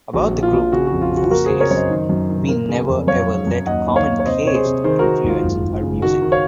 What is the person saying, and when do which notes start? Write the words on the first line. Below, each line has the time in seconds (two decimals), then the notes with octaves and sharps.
About the group, Wu says, We never, ever let 'common taste' influence our music.
0.13 A#1 F#4
0.33 A#2
0.43 F4
0.53 A#1
0.73 C#3 F#4
0.87 F2 F#4
1.02 F4
1.12 C#3
1.17 F#4
1.31 A#3 F#4 A#4
1.46 C#3 G#4 C5
1.60 A#4 C#5
1.71 F#2 C#5
1.75 C5 D#5
1.90 D#3
2.09 F#2
2.30 D#3
2.48 A#3
2.69 C#3
2.88 F2
3.07 F#2 C#5 F5
3.27 F#2
3.47 F#2
3.66 D#2 D#5 F#5
3.86 D#2
3.96 C#5 F5
4.06 D#2
4.19 C#5
4.25 C3 C5 D#5
4.45 C3 C#5
4.55 G#4 C5
4.65 C3
4.84 D#3 G#4 C5
4.99 D#3 F#4 A#4
5.24 G#1 F4
5.43 F#1
5.63 F#1
5.83 C#3
6.02 D#3 F#4
6.22 D#3
6.32 C#5 F5